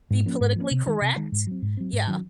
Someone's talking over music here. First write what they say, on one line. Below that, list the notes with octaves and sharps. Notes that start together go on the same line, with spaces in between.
Be politically correct? Yeah.
G#2
F3 A#3 C#4
G#2
F3 A#3 C#4
C3
D#3 G#3
C3
D#3 G#3
G#2
F#3 C4
G#2
F#3 C4
G#2
D#3 F#3 C#4